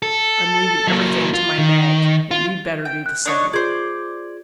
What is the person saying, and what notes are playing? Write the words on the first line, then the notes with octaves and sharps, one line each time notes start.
"I'm leaving everything to my nag, and you'd better do the same."
A4
F#3 A#3
F4
D#3
F4
G5
F#6
D4 D#4 C#5
F4 G#4 C5 D5 G#6